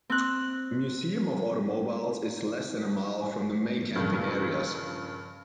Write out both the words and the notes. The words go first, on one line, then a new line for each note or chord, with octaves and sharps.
The Museum of Automobiles is less than a mile from the main camping areas.
C4 F#6
G2 A#2 C#3 F3